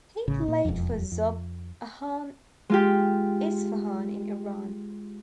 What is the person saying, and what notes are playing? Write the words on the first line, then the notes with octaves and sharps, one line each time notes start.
He played for Zob Ahan Isfahan in Iran.
A1 C#3
A#2
E1 F2
F2
G#3 F4 G4